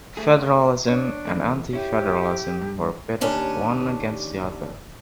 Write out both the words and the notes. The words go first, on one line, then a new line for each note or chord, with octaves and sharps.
Federalism and anti-federalism were pitted one against the other.
A3 G#4
D4 C#5
A#2 E3 A3
C#4 E4 G4
G2
D#2 C#4 D4 G4